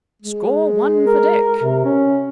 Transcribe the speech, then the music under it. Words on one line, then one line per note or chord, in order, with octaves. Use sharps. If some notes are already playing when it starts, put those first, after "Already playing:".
Score one for Dick.
G#3
A#4
C3
C#4